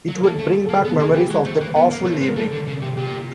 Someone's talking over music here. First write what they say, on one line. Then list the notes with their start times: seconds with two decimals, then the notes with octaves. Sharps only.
It would bring back memories of that awful evening.
0.09 F#3
0.15 A#4
0.24 A#3 A4
0.39 A3
0.54 G#4
0.66 A#3 A4
0.77 G#4
0.85 B3
0.89 A4
1.00 A#3 G#4
1.14 E3 G4
1.30 G#3 F#4
1.45 A3 C5
1.60 A#3 B4
1.76 B3 A#4
1.91 A#3
2.04 A3 C#5
2.13 C5
2.20 G#3 B4
2.28 A#4
2.36 G3 A4
2.52 D3
2.67 C#3
2.82 C3 G4
2.97 A#2 G4